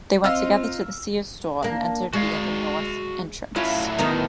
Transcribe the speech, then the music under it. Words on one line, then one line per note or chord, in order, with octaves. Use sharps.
They went together to the Sears store and entered via the north entrance.
C4 D#4 F4 F5 E6 F6
A#3 D4
G#3 F#4 D5 F5
A2 F#3 C#4 E4 F4
D#3 B3 D#4